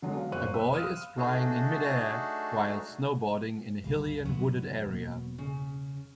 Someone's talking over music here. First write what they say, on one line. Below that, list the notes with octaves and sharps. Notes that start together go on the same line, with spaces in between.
A boy is flying in midair while snowboarding in a hilly and wooded area.
D3 F#3 G#3 B3
F5
F#1 A#2 C5 C#6 F#6 D#7
B5 E6
F5 D#6 F6 D#7 E7
A3 D4 D#4 F#4 G#4 A4
G1 C#2 G3 F5
D2 G2 D3 F#3 B3
E1 A#3
C#3